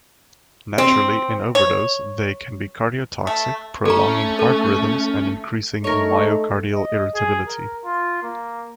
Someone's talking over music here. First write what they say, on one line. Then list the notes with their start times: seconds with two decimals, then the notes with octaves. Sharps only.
Naturally, in overdose, they can be cardiotoxic, prolonging heart rhythms and increasing myocardial irritability.
0.78 C4
1.55 C#5
3.27 A3
3.86 A3 C#4 A4 C#5 A#5
4.39 A4
5.84 A3 D#4 A#4 C#5
6.73 D#5
7.15 G#4
7.47 A#4
7.85 F4
8.22 A#3